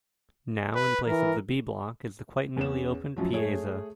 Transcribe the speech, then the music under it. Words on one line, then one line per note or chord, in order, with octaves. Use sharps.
Now, in place of the B-block is the quite newly opened Piazza.
B4
E3 A#4
E2 C#4 E7
F#2 F3 F#3
A3 G#4 C#5